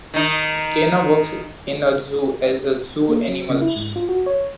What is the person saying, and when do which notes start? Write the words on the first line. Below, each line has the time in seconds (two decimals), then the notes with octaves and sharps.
Gena works in a zoo as a zoo animal.
0.14 D#3 D#4
3.09 A#3
3.28 F#3
3.49 C#3
3.61 E4
3.76 G#2
3.96 F4
4.09 F#4
4.26 C#5